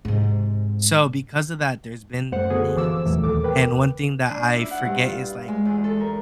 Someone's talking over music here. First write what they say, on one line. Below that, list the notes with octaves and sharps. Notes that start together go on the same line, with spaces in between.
so, because of that, there's been names and one thing that I forget is, like,
G#2 C3
F#2 G3 A3 C5 F#5
D3 B3 F#4 G#4 A4
G1 E3 F3 D6 E6
E2 A#2 E3 F#3 A3
D#2 D#3 A4 D6
A#4 B4 G5
D4
E4
F#5
G2
F4
G#3
E2
A4
A#4